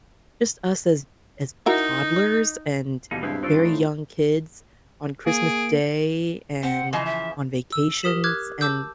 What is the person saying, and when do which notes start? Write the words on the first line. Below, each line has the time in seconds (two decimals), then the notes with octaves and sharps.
just us as as toddlers and very young kids on Christmas Day, and on vacations, and
1.66 D#4 E4 F#4 A#4
3.11 D#2 B2 E3 G3 D#4 F5
3.23 G2 C#3 G#3 B3 C4 E4 C5
3.43 C4 D#4 F4 F#4 A#4 D5 C6 E6
3.63 A2
5.26 A#3 G#4 D7
6.63 C4 F#5
6.93 C#3 E3 F3 D#5
7.05 E5
7.72 E6
8.02 G4 A#4 D#6 B6 E7 F#7
8.24 D6 F6 F#6 G#6
8.61 A5 D6 E6 G6